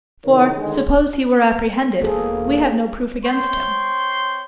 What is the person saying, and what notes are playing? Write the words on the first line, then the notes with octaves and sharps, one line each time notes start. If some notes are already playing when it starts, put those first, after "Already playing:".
For, suppose he were apprehended, we have no proof against him.
A#2 C#3 E3 D#4 A#4 C#5
D#2 D3 D#3 G#3
E1 A#3 G#4 A4 C5
C4 C5 C#5 C6